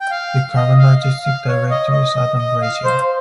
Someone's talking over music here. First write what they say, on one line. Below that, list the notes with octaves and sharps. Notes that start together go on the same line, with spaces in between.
The current artistic director is Adam Brazier.
G5
F5
D#5
F5
F5
F5
C#5
D#5
D#5
D#5
D#5
F5
C5